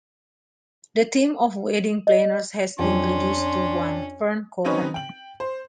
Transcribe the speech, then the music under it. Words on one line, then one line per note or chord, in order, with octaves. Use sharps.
The team of wedding planners has been reduced to one: Fern Cohen.
D#5
F2 C#4 D4 C6
F#3 C4 C#4 D#4 B4 C#5
G5 F#7
C5